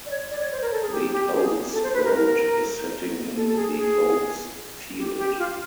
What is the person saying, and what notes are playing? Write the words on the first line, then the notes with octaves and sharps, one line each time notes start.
The Oats Goat is sitting in the oats field.
D5
C#5
D5
C#5
C5
A#4
A4
G#4
G4
G4
G#4
A4
C5
B4
A#4
A#4
A4
A4
G#4
G#4
G4
G4
F4